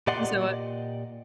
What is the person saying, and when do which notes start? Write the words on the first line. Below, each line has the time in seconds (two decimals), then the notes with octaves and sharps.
You say what?
0.07 A#2 G4 D5 D#5 F#5 C6